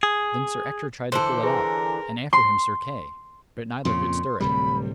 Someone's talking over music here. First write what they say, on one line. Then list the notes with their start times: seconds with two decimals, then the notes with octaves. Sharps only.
Then Sir Ector tried to pull it out, and after him Sir Kay; but neither could stir it.
0.03 G#4
1.12 D3 E3 A4 C5
1.43 G#4 A#4 B4 G#5
2.33 C6
3.85 F2 A#2 C#3 C6
4.40 D1 C3 G3 B5